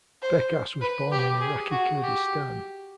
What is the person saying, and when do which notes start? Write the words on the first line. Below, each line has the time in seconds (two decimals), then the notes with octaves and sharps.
Bekas was born in Iraqi Kurdistan.
0.22 C5
0.82 B4
1.12 G4
1.41 G#4
1.71 F#4
2.02 G4